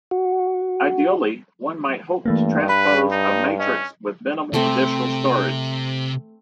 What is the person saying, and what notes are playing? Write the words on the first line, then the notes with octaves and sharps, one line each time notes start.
Ideally, one might hope to transpose a matrix with minimal additional storage.
F#4
G2 E3 A3 A#3
B4 B5
D#4
C#4 D#5
C3 A3 C4